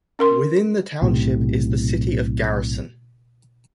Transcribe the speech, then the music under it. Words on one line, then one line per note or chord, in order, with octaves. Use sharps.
Within the township is the city of Garrison.
C#4 A#4 C6
B1 A2 C3